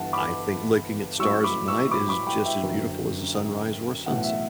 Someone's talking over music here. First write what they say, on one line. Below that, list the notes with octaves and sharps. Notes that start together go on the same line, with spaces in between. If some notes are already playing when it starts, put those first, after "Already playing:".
I think looking at the stars at night is just as beautiful as a sunrise or a sunset.
Already playing: G1 G2 E3 F#5 A5
B5 D6
A1 A2 F#3 C#6 E6
B5 D6
C#6 E6
B5 D6
B5 D6
G5 B5
E5 G5
F#1 F#2 D3
B1 A2 E3 A3 E4 F#5
E5